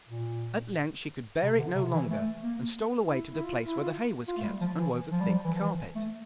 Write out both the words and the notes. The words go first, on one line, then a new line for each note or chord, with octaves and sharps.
At length she could bear it no longer, and stole away to the place where the hay was kept, and wove a thick carpet.
A#2
C3
D3
C3
E3
A3
A#3
E4
E4
F4
E4
F4
F4
A3
G3
F3
E3
F3
G3
F3
E3
F3
E3
A3